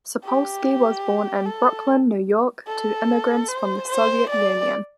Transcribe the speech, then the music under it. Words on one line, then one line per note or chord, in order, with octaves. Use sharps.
Sapolsky was born in Brooklyn, New York, to immigrants from the Soviet Union.
G4
A4
A4
C5
C5
D5